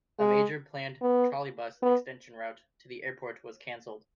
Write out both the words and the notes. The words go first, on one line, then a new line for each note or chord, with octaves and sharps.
A major planned Trolleybus extension route to the airport was cancelled.
G#3
B3
B3